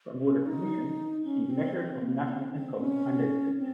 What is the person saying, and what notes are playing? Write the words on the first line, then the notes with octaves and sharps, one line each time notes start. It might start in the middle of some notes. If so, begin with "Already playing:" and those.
For more information, see Measures of national income and output.
C#4
D#4
C#4
C4
C4
A#3
C4
C4
C#4
C4